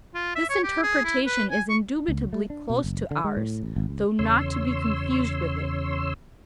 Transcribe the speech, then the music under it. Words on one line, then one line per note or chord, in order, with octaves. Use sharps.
This interpretation is indubitably close to ours, though not to be confused with it.
F4
E5
C#5
G4
G#4
E4
B4
G#5
C#6
C#2
A3
D4
B2
F#1
D3
G#3
A2
A1
G#1
C#2
E2 C#3 C#5 C6 E6